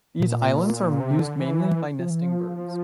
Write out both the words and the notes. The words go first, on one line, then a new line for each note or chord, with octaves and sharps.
These islands are used mainly by nesting birds.
A#2
C3
D3
E3
F3
E3
F3